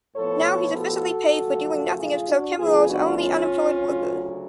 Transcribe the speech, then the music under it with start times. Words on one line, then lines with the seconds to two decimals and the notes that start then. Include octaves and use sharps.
Now he's officially paid for doing nothing as Clochemerle's only unemployed worker.
0.16 A2 F3 B3 A4 C#5
0.76 F#4 A4
1.38 F#2 C#3 F3 A3
1.98 F4 G#4
2.28 D4 F#4
2.58 D2 C#3 F3 B3 F4 G#4
2.89 D4 F#4
3.19 C#4 F4
3.80 D2 C#3 F#3